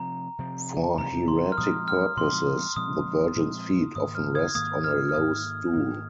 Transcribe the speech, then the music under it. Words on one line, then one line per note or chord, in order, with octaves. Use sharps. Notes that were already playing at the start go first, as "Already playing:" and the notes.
For hieratic purposes, the Virgin's feet often rest on a low stool.
Already playing: C3 F3 C4 A#5
C3 F3 C4
C3 F3 C4 A#5
C6
F6
A#2 F3 G#3 C4 D#6
F6
A#2 F3 G#3 C4 C6
A#2 F3 G#3 C4 D#6
A#2 F3 G#3 C4
G#2 D#3 A#3 D#6
F6
D#6 G#6
G#2 D#3 A#3 D#6 G#6
F6
F6
G#2 D#3 A#3 D#6
G#2 D#3 A#3